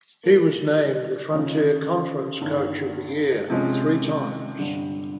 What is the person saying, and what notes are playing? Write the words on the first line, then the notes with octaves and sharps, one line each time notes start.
He was named the Frontier Conference Coach of the Year three times.
A2 F3 A#3
D#2 C#3 F3
G1 G2 D#3
C3 F3 G#3 C#4
G1 G2 D3 G3